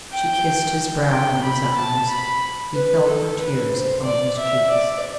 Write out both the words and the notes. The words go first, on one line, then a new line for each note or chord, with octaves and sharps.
She kissed his brow and his eyes; he felt her tears upon his cheeks.
G5
G5
B5
A5
B5
B4
A4
B4
C5
D5
E5
D5